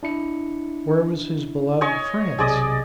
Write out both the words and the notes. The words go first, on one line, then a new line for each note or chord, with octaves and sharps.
Where was his beloved France?
D4 E4 C#7
C#5 D#5 G#5
B1 C3 G#4 D5 D#5 D#6